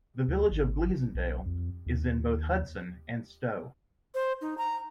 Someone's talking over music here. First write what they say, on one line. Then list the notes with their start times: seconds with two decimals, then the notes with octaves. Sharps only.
The village of Gleasondale is in both Hudson and Stow.
0.28 D2
0.51 G#1
1.15 B1
1.46 F2
1.86 D#2
4.14 C5
4.41 D#4
4.58 A#5